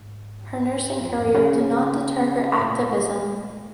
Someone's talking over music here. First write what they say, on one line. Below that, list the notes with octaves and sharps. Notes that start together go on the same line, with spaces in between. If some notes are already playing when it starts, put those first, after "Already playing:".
Her nursing career did not deter her activism.
Already playing: G#2
F2
G#2
C#3
A#2